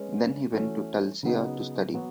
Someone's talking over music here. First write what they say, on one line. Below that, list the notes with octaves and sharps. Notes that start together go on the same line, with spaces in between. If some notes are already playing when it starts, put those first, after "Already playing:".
Then he went to Tulcea to study.
Already playing: G#3 C#4 G#4 B4
E3 A3 C#4 F#4
C#3 F#3 B3 D#4
F#3 B3 F#4